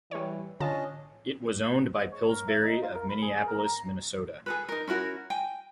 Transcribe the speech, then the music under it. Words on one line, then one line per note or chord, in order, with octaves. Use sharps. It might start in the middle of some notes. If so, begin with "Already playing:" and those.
It was owned by Pillsbury of Minneapolis, Minnesota.
E3 G3 C#5
D3 C#4 D4 F4 C#5 D#5 A5
G#2
C#5
A#4
E5
D#4
F4
A#4
B5
G#4
A#4
A#5
G#4 A4 B4
D#4 A#4
C#4 E4 F#4 A#4
G5 G#5